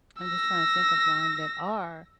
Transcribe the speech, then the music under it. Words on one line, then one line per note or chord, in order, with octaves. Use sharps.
I'm just trying to think of one that are
E6 A#6